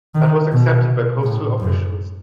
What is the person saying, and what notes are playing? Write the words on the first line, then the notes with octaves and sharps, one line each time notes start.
That was accepted by postal officials.
D#3
B2
A2
F#2